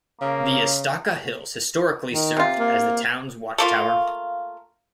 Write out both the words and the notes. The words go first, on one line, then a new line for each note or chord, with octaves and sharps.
The Estaca Hills historically served as the town's watch tower.
C#3 A#3
D#3
C3 F4
A#3
A3 A#3 F4